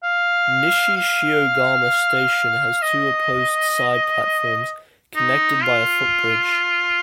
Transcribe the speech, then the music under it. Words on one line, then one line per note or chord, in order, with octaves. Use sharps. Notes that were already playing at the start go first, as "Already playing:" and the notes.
Nishi-Shiogama Station has two opposed side platforms connected by a footbridge.
F5
F5
D#5
D#4
F4